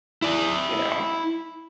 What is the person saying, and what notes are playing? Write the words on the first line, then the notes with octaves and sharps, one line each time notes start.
You know?
E4 D5